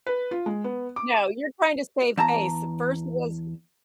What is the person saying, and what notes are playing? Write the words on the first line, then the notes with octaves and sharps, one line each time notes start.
No, you're trying to save face. First it was,
B4
F4
G#3
B3
D6
E2 A5 A#5